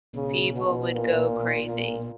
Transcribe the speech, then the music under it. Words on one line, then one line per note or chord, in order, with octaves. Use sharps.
People would go crazy.
C#3
B2
A#2
A#2